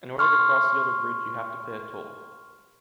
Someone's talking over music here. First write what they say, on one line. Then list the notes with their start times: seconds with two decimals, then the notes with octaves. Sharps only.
In order to cross the other bridge you have to pay a toll.
0.19 C6 C#6 F6